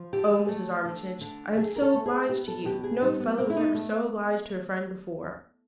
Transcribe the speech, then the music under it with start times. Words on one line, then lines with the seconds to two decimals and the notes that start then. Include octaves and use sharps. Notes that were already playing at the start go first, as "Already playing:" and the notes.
"Oh, Mrs. Armitage, I am so obliged to you! no fellow was ever so obliged to a friend before."
Already playing: F3
0.13 D3 G4
0.49 A3
0.85 D3
1.21 D3
1.57 D3 G#4
1.76 A#4
1.82 A4
1.94 A3
2.06 G#4
2.29 B2 G4
2.48 A4
2.65 B2 G4
2.83 G#4
3.02 G3 D#4
3.20 B3
3.38 B2 C4
3.50 E4
3.57 D#4
3.74 A3